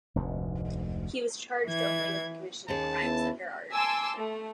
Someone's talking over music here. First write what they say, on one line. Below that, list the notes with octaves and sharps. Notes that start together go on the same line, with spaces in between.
He was charged only with the commission of crimes under Art.
F1 D2 G#2
E3 G#6
D#2 C#4 G#4 A5
B3 E4
G#5 A5 C6 D6 E6
A3